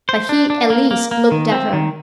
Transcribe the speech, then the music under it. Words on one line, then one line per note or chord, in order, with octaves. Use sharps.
But he at least looked at her.
C5
D4
D4
A#3
A#3
A#3
D#3
C4
D#3